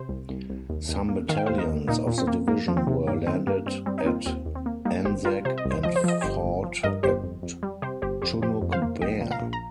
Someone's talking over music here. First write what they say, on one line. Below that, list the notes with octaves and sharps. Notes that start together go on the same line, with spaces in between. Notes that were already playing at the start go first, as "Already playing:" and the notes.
Some battalions of the division were landed at Anzac and fought at Chunuk Bair.
Already playing: C3 C5
C2
C2
C2
D#2
D#2
A#3
D#3 F5
G5
D#2 C5 F5
A#4 D#5
D#2
A#2 A#3 D#4
A#2
C4
A#3
F2 A#3
F3
C4
C3
G2 A#3
D#3 C4
G2 A#3
G2 C4
G3 C4
D#4
A#3 C4 F4
D#2 C4
D#2
C4
A#3
G3 A#3 D#4
G1 G4 C5
G3 F4 A#4
C3 C5
D#5
C2
C5
F3 D#5
C5
F3 D#5
G1 G4 C5
G1
F3
G2 A#4 D#5
G1 G4 C5
F2
F2
G3
C3 G4 C5
G1 G4 C5
F2 G4 C5
F3 G4 C5
F2
C5 F5
A#3
A#1 D#5 G5
A#2
F5 A#5
A#1
A#5